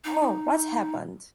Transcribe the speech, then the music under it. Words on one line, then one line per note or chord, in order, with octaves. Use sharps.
Oh, what's happened?
D#4